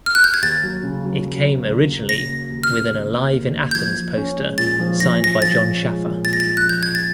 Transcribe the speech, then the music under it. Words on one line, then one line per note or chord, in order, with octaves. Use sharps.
It came originally with an Alive in Athens poster signed by Jon Schaffer.
F6
F#6
G6
G#6
D#2 A6
F#3
C#3
F#3
F#3
C#3
D#2
A#3
C#3 A#6
A#3
D#2
F6
C#3
D#2
A#3
D#2
D#2
G6
F3 G#6
F3
C#4
G#3
A#2 A6
F3
F3 A#6
F3 A#6
F3 A6
A#2
G#3
A#2
A#2 A6
A#6
A6
F3
F#6
F3 G6
A#2 G#6
A6